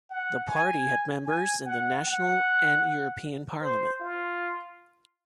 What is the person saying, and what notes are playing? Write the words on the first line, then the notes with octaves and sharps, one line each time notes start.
The party had members in the National and European Parliament.
F#5
G#5
G#5
F#5
F#5
C5
F4